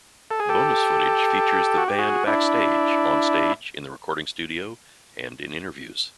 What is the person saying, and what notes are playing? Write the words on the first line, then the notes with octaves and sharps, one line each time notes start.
Bonus footage features the band backstage, on-stage, in the recording studio and in interviews.
A4
G#4
G4 A4
F#4
G4
F#4 G#4
D4 E4